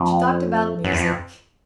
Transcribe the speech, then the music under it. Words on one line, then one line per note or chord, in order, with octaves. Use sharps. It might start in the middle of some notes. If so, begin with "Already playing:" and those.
She talked about music.
Already playing: F2
F#2
E2
F2